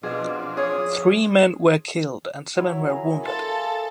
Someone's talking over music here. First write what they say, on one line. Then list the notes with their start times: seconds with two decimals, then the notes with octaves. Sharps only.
Three men were killed and seven were wounded.
0.03 B2 F3 C4 D4 G#4
0.57 G#4 C#5
2.57 F#3 E4 C#5
2.89 G#4 A#4
3.23 G#4 A4 C5 F5